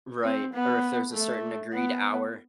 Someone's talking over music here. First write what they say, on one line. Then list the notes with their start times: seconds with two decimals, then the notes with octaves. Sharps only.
Right. Or if there's a certain agreed hour.
0.23 C4
0.53 B3
1.12 A3
1.72 B3